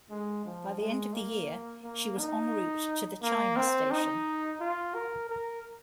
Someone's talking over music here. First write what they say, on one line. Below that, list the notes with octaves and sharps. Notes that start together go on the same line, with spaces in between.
By the end of the year, she was en route to the China Station.
G#3
F3
G#3
A#3
A#3
D#4
A#3
C4
D#4
F4
A#4
A#4